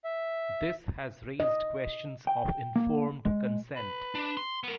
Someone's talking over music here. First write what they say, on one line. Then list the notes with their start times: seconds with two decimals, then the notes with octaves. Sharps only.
This has raised questions of informed consent.
0.04 E5
1.40 D#5
2.27 G5
2.76 A#3
3.25 G#3
3.76 B4
4.15 D4
4.37 C6
4.64 B3 A#4